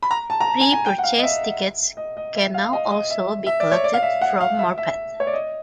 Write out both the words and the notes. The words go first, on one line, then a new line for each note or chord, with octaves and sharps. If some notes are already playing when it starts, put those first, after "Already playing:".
Pre-purchased tickets can now also be collected from Morpeth.
B5
A#5
A5
A#5
A5
G#5
G#5
G5
F#5
F5
D#5
E5
D#5
D#5
E5
F5
D#5
D#5
E5
E5
D5
C#5
D5
F5
E5
F#5
F5
E5
E5
C#5
D5
D#5